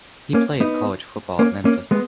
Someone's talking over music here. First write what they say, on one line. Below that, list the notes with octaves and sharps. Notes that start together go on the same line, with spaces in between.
He played college football at Memphis.
A#3 C#4
B3 D#4
A#3 C#4
A#3 C#4
G#3 B3